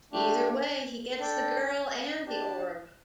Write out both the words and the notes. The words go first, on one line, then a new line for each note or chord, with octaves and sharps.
Either way, he gets the girl and the orb.
A3 D4 G4
D4 A4 D5 G5
D4 G4 D5 A5